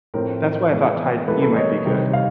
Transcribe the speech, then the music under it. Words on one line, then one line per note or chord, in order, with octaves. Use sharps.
That's why I thought Tai Chi might be good.
A2 F3 A3 C4 A#4
E3 G#3 B3
E3 G3 A#3 A4 B4
A4 B4
C#5 D#5
C3 D#3 G3 C4
D#5 F5